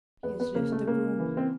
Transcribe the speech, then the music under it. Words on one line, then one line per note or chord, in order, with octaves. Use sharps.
He has left the room.
E2 B3
B3
C#3 A#3
A3
C#3 A#3
E3
C4